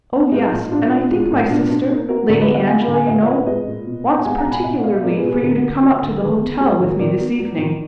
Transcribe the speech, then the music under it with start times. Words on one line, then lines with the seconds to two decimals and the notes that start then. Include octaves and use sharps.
Oh, yes, and I think my sister--Lady Angela, you know--wants particularly for you to come up to the hotel with me this evening.
0.13 B3
0.32 G#3 D#4
0.45 D#4
0.51 A#2
0.71 A#2 D4 F4
0.91 B3
1.11 G#3
1.31 A#2
1.50 B2 D4
1.70 B2 D4
1.89 A#3
2.09 A#3 F#4 A#4
2.28 D3 A#4 D5
2.41 B4 D#5
2.48 B3
2.54 D#5 F#5
2.67 G#3 F5 G#5
2.81 G#5 B5
2.88 D3
2.93 F5 G#5
3.07 A#2 D#5 F#5
3.20 A#4 D5
3.27 B3
3.33 B4 D#5
3.46 G#3 B4 D#5
3.66 A#2
3.85 B2
4.05 B3
4.19 F#5
4.24 G#3 F5 G#5
4.38 F#5 A#5
4.45 B2
4.51 G#5 B5
4.64 B2 D#5 F#5
4.83 B3 D5 F5
4.96 D#5
5.04 G#3 A#4 D5
5.16 G#4 B4
5.22 B2
5.29 G#4 B4
5.42 D3 F#4 A#4
5.62 A#3
5.82 F#3
6.02 D3
6.21 D#3 G#4 B4
6.40 B3
6.60 G#3
6.80 D#3
6.99 D#3 A#4 D5
7.19 B3
7.39 F#3
7.58 D#3